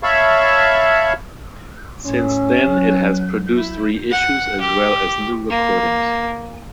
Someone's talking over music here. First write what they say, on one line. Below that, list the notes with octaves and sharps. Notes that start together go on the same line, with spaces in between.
Since then it has produced reissues as well as new recordings.
C#5 E5 F5 A5 B5 C#6
A2 C#4
F#3
E4
F#5
G4
A#3